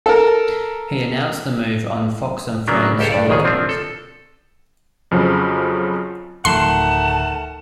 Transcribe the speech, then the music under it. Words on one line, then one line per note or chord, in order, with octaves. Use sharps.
He announced the move on "Fox and Friends Weekend".
A4 A#4
C#3 F#3 A#3 B3 D4
C#2 G4 A4 C5 C#5
G2 D5
A#1 D#2 B2 D#3 G#4
F3 C4 D4 F4
A4
F2 C#3 F3 F#3
D1 D2 D#3 F3 A3 F#5 A5 C6